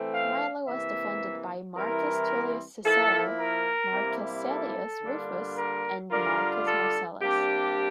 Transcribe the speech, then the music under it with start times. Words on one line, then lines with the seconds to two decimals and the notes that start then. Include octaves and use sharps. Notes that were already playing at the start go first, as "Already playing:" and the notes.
Milo was defended by Marcus Tullius Cicero, Marcus Caelius Rufus and Marcus Marcellus.
Already playing: E3 A3 C4
0.12 F5
0.66 C3 E3 A#3 E5
1.75 E3 G3 C4 E4 A#4
2.84 F3 A#3 E4 A4
3.39 A#4
3.93 C3 G3 A#3 E4
4.48 A4
5.02 D3 G3 A#3 D4 F4
5.57 A#4
6.11 D3 G3 D4 F4 A#4
6.66 A4
7.20 C3 G3 A#3 D4 G4